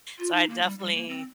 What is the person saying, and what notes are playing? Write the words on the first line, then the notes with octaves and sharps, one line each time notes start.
So, I definitely
F4
D#4
A#3
G3
G3
A#3
C4